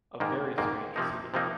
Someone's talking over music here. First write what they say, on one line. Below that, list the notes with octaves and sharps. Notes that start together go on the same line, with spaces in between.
A very strange city.
G#2 D#3 A#3
G#2 D#3 A#3
C3 F3 A#3 D#4
C3 F3 A#3 D#4